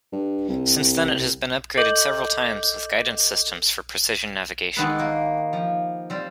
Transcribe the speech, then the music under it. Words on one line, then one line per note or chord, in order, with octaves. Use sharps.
Since then, it has been upgraded several times with guidance systems for precision navigation.
G2
C2
A4 D#5 D6 G6 F#7
D#3 G#3 B3 G4 A4 B4
A#3
F3
G3 C4